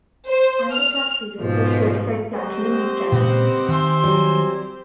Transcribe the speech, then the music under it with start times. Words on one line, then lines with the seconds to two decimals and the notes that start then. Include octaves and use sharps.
"Underclass Hero" was certified Platinum in Canada.
0.28 C5
0.71 F6
1.40 G#2 B2 F3
2.34 C4 D4 F#4 G4 C5 D#5
3.12 A#2 C#3 G#3 B4 D#5 F#5
3.69 D#3 E5 G#5 C6
4.04 F#3 G3